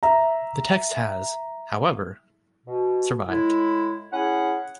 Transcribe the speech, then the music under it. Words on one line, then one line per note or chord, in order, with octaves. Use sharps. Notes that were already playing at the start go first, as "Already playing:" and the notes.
The text has, however, survived.
E5 A#5
B2
A2 G#3 E4
C#4 E4 G#4 F#5